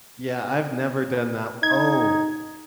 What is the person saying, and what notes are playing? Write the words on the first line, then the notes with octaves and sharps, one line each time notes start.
Yeah, I've never done that o Oh,
D#4 G#6